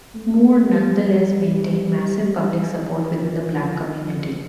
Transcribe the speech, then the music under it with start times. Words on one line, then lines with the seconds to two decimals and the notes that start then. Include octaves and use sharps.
Moore nonetheless maintained massive public support within the black community.
0.15 A3
0.62 G3
2.90 F3
3.36 F3
3.83 F3